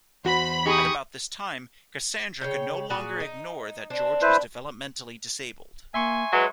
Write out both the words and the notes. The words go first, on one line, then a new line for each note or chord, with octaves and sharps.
At about this time Cassandra could no longer ignore that George was developmentally disabled.
E2 F#4 C5 B5
D#4 G4 G#4 C#6 D#6
C#3 C#5 G5
A#2 F#4 G#4
D#4
C4 D4
E4 B4 C5
A#3 E5 G#5 C6 C#6
F#3 G#3 B4